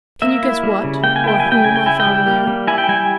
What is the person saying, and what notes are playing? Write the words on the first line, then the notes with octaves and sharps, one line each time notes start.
Can you guess what, or whom, I found there?
A#3 E5
E4
G3
C#3
A#3 G5
G#5
E4 G5
G#5
G3
G5
C#3 G#5
G5
E4 G#5
G5
G3
A#3
G3
E4 G#5
G5
G3 G#5